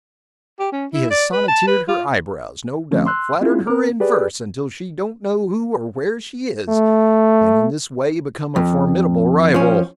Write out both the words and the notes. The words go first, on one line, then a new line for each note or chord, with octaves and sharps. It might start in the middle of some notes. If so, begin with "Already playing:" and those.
He has sonneteered her eyebrows, no doubt--flattered her in verse until she don't know who or where she is, and in this way become a formidable rival.
G4
C#4
E4
D5
B4
A5
B4
F4
D3 F3 A3 C4 C#4
C6 E6 F#6
A#3 C4 C#4 E4 F4 G#4
C4 A#4
G4 G#4 B4 D5
A3
F2
F3 C#4